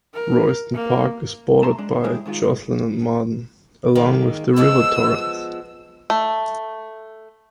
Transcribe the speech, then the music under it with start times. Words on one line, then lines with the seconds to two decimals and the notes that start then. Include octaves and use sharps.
Royston Park is bordered by Joslin and Marden, along with the River Torrens.
0.14 A#4
0.74 A#3
1.63 A3 A5 A#5 C6
1.78 G#3 D4
1.91 D#3 G#4
2.04 A2 G#3 E4 G4 G#4 C#5
2.26 G#2 D#3 G#3 F4
2.43 G#3
3.95 D#3 G#3 A#3
4.56 F3 G#3 B3 E6
6.10 A3